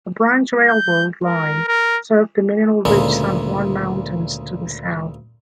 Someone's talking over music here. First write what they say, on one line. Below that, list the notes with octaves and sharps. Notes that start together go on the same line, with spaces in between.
A branch railroad line served the mineral-rich San Juan Mountains to the south.
G6
A#4
A#4
D2 A#2 C#3 G#3